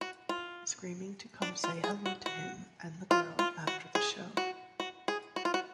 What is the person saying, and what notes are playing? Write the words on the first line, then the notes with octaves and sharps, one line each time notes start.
Screaming to come say hello to him and the girl after the show.
F#4
F4
D4
F4
G#4
F#4
F#4
F4
F4
F#4
G#4
F#4
F#4
G#4
F#4
F4
F#4